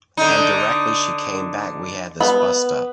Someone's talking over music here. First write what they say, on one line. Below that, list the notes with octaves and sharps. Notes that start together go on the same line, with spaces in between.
And directly she came back we had this bust-up.
D3 D#4
B3